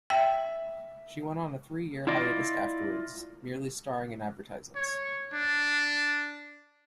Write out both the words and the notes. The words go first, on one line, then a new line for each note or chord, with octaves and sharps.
She went on a three-year hiatus afterwards, merely starring in advertisements.
E5 G5
E4 F4 D5 D#5
C#5
D4